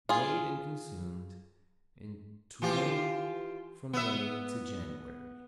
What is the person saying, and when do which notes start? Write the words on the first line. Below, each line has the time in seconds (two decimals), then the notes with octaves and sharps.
Made and consumed in Touraine from May to January.
0.09 F4 G#4
2.62 E3 F4 G4
3.93 B3 E5